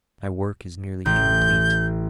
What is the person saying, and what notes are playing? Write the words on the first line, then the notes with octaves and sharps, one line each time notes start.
My work is nearly complete.
A1 G6